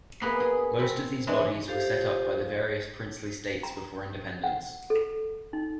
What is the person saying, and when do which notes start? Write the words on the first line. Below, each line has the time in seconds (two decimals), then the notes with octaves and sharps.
Most of these bodies were set up by the various princely states before independence.
0.22 A#3 B3 G#4 B4
0.40 G#4
0.79 C4 B5
1.27 E3 G#3 D4
1.68 F4 G4 A4 C5 F5
3.63 A#5
4.44 F#5
4.90 A4
5.53 D#4